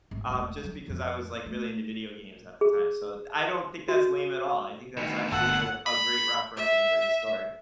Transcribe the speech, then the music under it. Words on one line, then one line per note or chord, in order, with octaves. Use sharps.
um, just because I was, like, really into video games at the time. So d I don't think that's lame at all, I think that's actually a great reference and a great story.
G#1
E1 G#3
F#3
F2 C4
A3
G#4
F#4
D2 B2 D#3
G1 A4 F#5
B5
E5